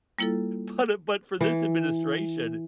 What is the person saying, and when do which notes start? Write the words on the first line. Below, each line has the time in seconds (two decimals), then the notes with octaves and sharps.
But, uh, but, for this administration,
0.19 G3 A#3 E4 F4 A4
1.41 E3